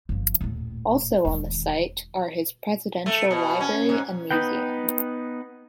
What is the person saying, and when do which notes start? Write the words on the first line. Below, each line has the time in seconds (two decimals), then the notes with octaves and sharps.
Also on the site are his presidential library and museum.
0.09 G1 F3
0.41 D#1 A2
1.25 E1 D#3
3.06 A3
3.31 B2
3.61 C#4
3.89 G#2
4.31 B3 D#4 B4 G5